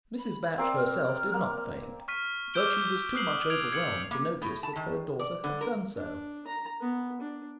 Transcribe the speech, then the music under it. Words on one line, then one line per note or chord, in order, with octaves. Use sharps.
Mrs. Batch herself did not faint, but she was too much overwhelmed to notice that her daughter had done so.
B5
C4 A#4 D5 F5
F6
A#3
C#6 F6 B6 D#7
D6 E6 F6 G6 D7 G7
D#6 F#6 C7 F#7
G#6 D7 F7
G#6 C#7 F7 F#7
A#3
A2
A5
D#3
D5
D3
A#4
D4
A#5
B3
D4